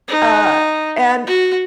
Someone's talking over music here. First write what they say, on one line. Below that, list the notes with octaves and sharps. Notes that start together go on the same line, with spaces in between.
uh, and
D#4
F#4